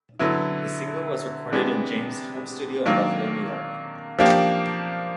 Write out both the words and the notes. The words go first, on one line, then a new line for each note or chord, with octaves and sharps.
The single was recorded at James' home studio in Buffalo, New York.
D3 F#3 B3 E4
C3 E3 G#3 B3 D4
D#3 F#3 A#3 D4
F3 A#3 D4 G4